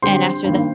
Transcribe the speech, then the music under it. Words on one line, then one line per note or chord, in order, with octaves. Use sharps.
and after
D3 G3 C4 C5 C6
G2 D#3 A#3